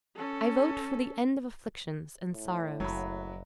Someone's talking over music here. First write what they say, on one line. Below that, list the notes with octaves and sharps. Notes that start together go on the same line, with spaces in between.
I vote for the end of afflictions and sorrows.
C#4 A4
A2
F#1 F#3 B5